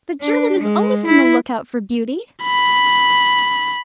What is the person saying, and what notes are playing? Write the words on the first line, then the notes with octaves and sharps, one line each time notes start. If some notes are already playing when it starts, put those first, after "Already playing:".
The German is always on the lookout for beauty.
D4
G#3
E4
B5